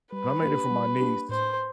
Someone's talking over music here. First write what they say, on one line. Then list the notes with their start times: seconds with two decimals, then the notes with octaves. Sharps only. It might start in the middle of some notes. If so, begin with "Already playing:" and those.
and I made it for my niece,
0.12 G3 B4
0.42 A#3 D4 G4
0.71 G3
1.00 A#3 D4 G4
1.29 A2 C5